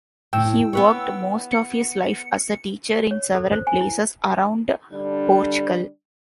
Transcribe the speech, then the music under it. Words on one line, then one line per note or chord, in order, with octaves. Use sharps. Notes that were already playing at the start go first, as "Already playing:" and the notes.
He worked most of his life as a teacher in several places around Portugal.
A2 G5 E6
B3 B4 C#5
C#7
C#5
A4
C5
G#5
E4
D3 G3 D4